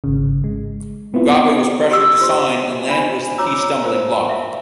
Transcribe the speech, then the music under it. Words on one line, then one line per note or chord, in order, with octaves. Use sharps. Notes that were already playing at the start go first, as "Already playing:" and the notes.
Mugabe was pressured to sign and land was the key stumbling block.
G#1 C#3
G#3
B3 C4 E4 F4
F#4 G4 C#6 D#6 E6
F4 C5 C6
D4 F4 C5 D5 G#5 B5
F4 C#5 A#5 D6 E6
F4 A#4 C5
E5 F5